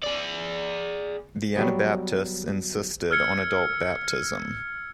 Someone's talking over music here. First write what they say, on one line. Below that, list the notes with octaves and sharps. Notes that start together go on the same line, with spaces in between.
The Anabaptists insisted on adult baptism.
G#4 D5
F#3 G3 B3
E6 F6 G#6 C#7